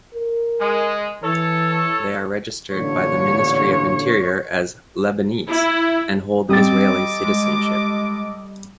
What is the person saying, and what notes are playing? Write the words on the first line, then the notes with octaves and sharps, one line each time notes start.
They are registered by the Ministry of Interior as "Lebanese" and hold Israeli citizenship.
A#4
G#3
E3 A4 C#5
A1 A#2 D3 C#5
E4
G3 C4 A4 D#5 D6 A6
G#3